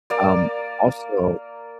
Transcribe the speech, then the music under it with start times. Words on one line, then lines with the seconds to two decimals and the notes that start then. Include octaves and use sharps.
um, also
0.10 A#3 D5